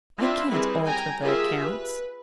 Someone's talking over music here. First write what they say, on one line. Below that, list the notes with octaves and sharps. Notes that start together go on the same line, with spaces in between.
'I can't alter the accounts.
C4 D4 E4 F4 E5
G3 C4 E4 G#4 A#4 B4
G5 G#5 A#5
F4 G4 G#4 A#4 E5
B4